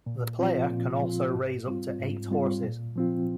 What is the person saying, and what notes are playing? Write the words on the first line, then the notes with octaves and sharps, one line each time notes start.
The player can also raise up to eight horses.
A#2
F3 C4 F4
A#2
F3 C4 F4
G#2
G3 C4 F4
G#2
G3 C4 F4
A#2
F3 C4 F4